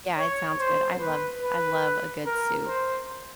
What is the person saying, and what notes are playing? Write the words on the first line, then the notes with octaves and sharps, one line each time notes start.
Yeah. It sounds good. I love I love a good soup.
C#5
C5
B4
B4
A#4
C5